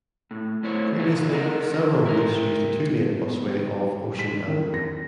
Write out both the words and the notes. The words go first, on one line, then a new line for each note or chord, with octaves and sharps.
Previously, several routes used a two-lane busway off Ocean Avenue.
A2
A3 E4 C5 C#5
A#2 E3 B3 E4 F4
D3 D#4 A#4
E4 A#4
B3
G3
G3
B6
D#3
A#6